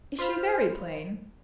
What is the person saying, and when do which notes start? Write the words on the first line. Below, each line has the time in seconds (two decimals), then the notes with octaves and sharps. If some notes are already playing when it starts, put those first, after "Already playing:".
"Is she very plain?"
0.19 F4 C5 B5 F6